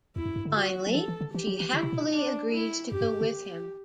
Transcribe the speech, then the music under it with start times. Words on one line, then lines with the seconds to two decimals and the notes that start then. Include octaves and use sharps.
Finally, she happily agrees to go with him.
0.16 E2 E4
0.25 F#2
0.36 G2
0.45 D3
0.55 F#4
0.87 F#3
0.94 E3 A4
1.08 E3
1.21 D3
1.34 E3 G4
1.47 F#3
1.60 E3
1.73 D3 E4
1.83 C3
1.93 B2
2.13 D4
2.52 E4
2.91 F#2 G4
3.01 G2
3.21 D3
3.31 G4